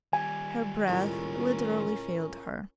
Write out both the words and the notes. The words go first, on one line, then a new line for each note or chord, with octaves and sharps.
Her breath literally failed her.
D#3 G3 G#5
C#2 A2 C#4 A#4